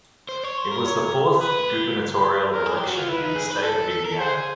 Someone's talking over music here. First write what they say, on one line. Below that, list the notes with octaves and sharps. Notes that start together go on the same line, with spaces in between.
It was the fourth gubernatorial election in the State of Indiana.
C5
C#5
C5
A#4
C#5
G#4 B4
G4
A#4
G#4
G4
F#4
F4
E4 B4
D#4
G#4
B4
A4
A4
A#4
A4
G#4 C5